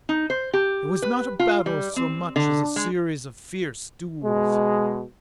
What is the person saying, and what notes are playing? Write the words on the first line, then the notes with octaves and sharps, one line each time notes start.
It was not a battle so much as a series of fierce duels.
D#4
C5
G4
B4
F4
G3
C4
D3
G#3
B2 G#3